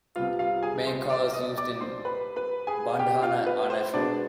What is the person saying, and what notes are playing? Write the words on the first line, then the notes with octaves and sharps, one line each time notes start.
The main colours used in Bandhana are natural.
C2 C3 G3 B3 F4 F5
F4 F5
G#4 G#5
C5 C6
D5 D6
D#5 D#6
D5 D6
C5 C6
B4 B5
B4 B5
G#4 G#5
G4 G5
F4 F5
B4
C5
B2 G#3 B3 D4 D5